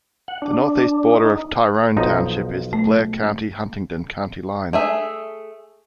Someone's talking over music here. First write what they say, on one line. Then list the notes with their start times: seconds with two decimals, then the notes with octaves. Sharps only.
The northeast border of Tyrone Township is the Blair County-Huntingdon County line.
0.28 F#5
0.42 D4
1.13 D#4
1.97 B1 F3 D#4
2.73 A3
4.73 A3 G#4 E5